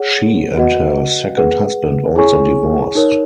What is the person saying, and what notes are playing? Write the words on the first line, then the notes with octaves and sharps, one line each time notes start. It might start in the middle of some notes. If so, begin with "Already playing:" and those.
She and her second husband also divorced.
Already playing: G#4 C#5 F#5
F#4 B4 D#5 F#5
G#4 B4 F#5
E4 G#4 C#5 G#5 C#6
D#4 A#4 C#5